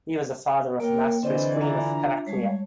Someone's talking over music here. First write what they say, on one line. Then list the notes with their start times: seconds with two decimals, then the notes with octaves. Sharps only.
He was the father of Amastris queen of Heraclea.
0.80 A#3 A#4 C#5 G5
1.23 D3 E3 C4 C5 D5 D#5
1.61 D4 F4 E5 A#5
2.26 G3 G#3 C#5 A5